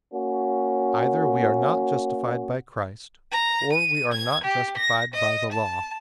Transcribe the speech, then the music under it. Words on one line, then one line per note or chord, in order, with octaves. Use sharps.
Either we are not justified by Christ, or we are not justified by the Law.
A#3 C#4 F#4
A#5
D#7
G#6
G4
A#6
D#5
A5